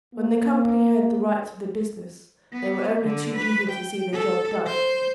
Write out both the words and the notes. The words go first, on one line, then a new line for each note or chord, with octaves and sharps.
When the company heard the rights of the business, they were only too eager to see the job done.
A#3
B3
D3
B4
G5
A4
C5